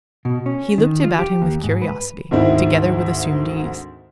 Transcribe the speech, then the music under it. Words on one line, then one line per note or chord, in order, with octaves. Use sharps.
He looked about him with curiosity, together with assumed ease.
B2
C#4
D#3
F4
G4
D#2
G#2
B4
D2 G#2 D#3 C4 E4